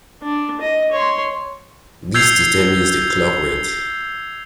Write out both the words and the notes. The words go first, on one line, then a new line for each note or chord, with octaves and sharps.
This determines the clock rate.
D4
D#5
C#5 C6
E6 G6 G#6 C7 F7